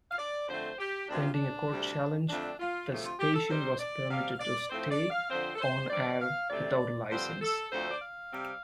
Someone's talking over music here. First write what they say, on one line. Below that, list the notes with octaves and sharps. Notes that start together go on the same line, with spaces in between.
Pending a court challenge, the station was permitted to stay on-air without a licence.
F5
D5
F2 D3 A3 C4 C5
G4
D2 C3 F3 C4 D4
F4
D4
D2 C3 G3
F2 D3 A3 C4 D4
F4
D2 C3 F3 A3
F4
G4
A4
C3 G3 C4 C5
D5
C3 G3 C4 F5
D5
A2 F3 A3 C4 C5
D5
F5
F2 D3 F3 C4 C5
A4
C5
G2 G3 C4 D5
F5
D2 C3 A3 C4 D5
G2 D3 F3 C4 C5
A4
D2 D3 F3 A3 C4 C5
D5
F5
C3 G3 C4